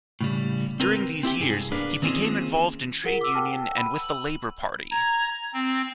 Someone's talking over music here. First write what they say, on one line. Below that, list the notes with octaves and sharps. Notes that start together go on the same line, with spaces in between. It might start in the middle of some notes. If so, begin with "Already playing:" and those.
During these years he became involved in trade union and with the Labour Party.
A2 C#3 G3
C4 A#4 B4
C4 E4 G4 G5
C2 G2 G#4
A#3 B3 D4 A#4 B4
D#3 A#3 C4 C#4 F4 G#4
F4 G#4 A#4 F#5 B6 G7
D6 E6
F#5 G5 A5 E6 F6
B5 E6 D#7
F#7
A#5 G#6
C4